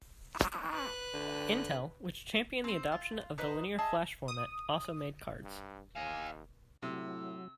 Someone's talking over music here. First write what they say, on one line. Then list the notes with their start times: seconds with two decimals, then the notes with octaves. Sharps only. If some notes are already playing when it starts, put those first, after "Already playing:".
Intel, which championed the adoption of the Linear Flash format, also made cards.
0.73 B4 F#6
1.13 D3
2.64 C4 C5
2.92 F4
3.38 D#4 B4 C5 D#5
3.79 G#4 D#5 E5 A5
4.28 D#6
5.43 G2
5.96 D#2 D#5 F5 G#5
6.83 A2 C3 F#3 E6